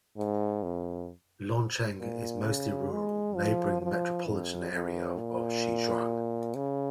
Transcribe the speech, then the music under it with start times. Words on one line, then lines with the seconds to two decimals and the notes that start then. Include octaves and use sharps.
Luancheng is mostly rural, neighbouring the metropolitan area of Shijiazhuang.
0.17 G#2
0.63 F2
2.00 A#2
2.44 C#3
2.91 G#3
3.36 F3
3.82 F3
4.27 F2
4.72 F2
5.18 A#2
6.55 C#3